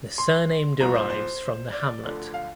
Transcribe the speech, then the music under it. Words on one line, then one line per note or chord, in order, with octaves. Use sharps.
The surname derives from the hamlet.
C6
C2 A#2 F3 A#5
C5
C5
D5
D2 D3 F3
F5